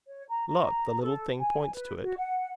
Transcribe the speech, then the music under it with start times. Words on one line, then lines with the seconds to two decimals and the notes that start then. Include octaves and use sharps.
"Look, the little thing points to it."
0.06 C#5
0.29 A#5
0.47 A#5
1.01 A4
1.38 G#5
1.74 B4
2.02 F#4
2.17 F#5